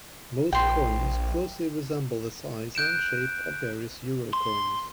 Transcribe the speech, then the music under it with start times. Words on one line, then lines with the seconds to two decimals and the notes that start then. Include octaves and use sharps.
Most coins closely resemble the size and shape of various euro coins.
0.53 A#1 G5 C6
2.75 F#6 G6 D7 E7
4.33 C6